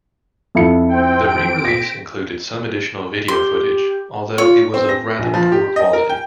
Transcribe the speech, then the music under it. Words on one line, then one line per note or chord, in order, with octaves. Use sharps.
The re-release included some additional video footage, although it was of rather poor quality.
F2 E4 C#7
C4 G5
D7
A#6 B6
G4 C6
F4 C#5
C4
A#6
A#1
F3
G4
D#5
A#4
G5